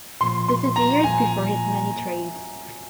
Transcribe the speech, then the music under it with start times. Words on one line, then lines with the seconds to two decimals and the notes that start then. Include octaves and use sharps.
This is years before his many trades.
0.21 A#2 F3 A#3 C6
0.48 C6
0.76 A#5
1.04 A#2 F3 A#3 G#5